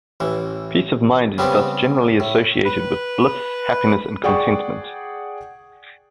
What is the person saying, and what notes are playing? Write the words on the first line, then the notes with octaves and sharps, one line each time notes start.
Peace of mind is thus generally associated with bliss, happiness and contentment.
A1 E3
C#3 G3 B3 C4
A2
B4
G#4 D5 F#5 G5 C#6